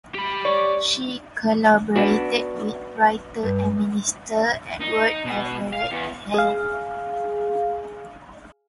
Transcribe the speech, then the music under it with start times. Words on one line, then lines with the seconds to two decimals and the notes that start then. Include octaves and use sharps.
She collaborated with writer and minister Edward Everett Hale.
0.14 G4 B5
0.45 C#5 D5
1.96 B3 D4 F#4
3.43 G2
4.80 D#4
5.25 B2
5.73 F5
5.91 E2
6.34 G#4 F5